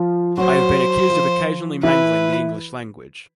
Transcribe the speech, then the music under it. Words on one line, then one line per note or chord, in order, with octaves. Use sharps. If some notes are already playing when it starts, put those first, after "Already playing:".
I have been accused of occasionally mangling the English language.
Already playing: F3 F4
F#3 F#4 C5
F3 F4
E3 E4 B4